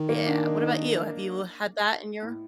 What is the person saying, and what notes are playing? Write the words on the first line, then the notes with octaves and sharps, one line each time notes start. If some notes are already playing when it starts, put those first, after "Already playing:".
Yeah, what about you? Have you had that in your
Already playing: D#3
A#3
D4
D#4
D#4
A2